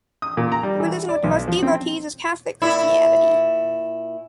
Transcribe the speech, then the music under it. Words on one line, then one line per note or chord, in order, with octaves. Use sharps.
The religion with the most devotees is Catholic Christianity.
D#6
A#2
A#5
G3
E3
D5
B1
F3
C4
A#2 E4